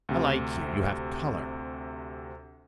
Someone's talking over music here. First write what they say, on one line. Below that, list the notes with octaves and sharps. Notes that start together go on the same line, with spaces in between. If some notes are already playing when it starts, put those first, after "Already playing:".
I like you--you have color.
D2 C3